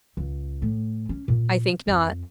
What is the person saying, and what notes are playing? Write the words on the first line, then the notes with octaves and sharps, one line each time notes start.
"I think not."
C#2
A2
C#4
A#2
F2